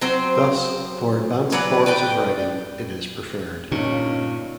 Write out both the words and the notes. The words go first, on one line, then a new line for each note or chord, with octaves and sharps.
Thus, for advanced forms of riding, it is preferred.
F#3 C4 C5
E3 F#3 B4 D5
B4 D5 G5
G1 G2 A#2 C#4 D#4